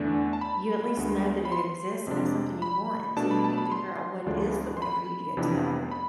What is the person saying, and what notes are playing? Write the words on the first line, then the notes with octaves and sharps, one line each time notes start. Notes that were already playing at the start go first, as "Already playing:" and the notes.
you at least know that it exists and it's something you want so you can figure out what is the way for you to get to that point.
Already playing: E2 D3 A3 D4
A5
B5
D2 D3 G#3 B3
B5
C6
F2 C3 G#3 D4
B5
B2 A3 D4 A5
B5
A5
B5
C6
D2 D3 F3 G#3 D4
C6
B5
F2 C3 E3 B3 D4
B5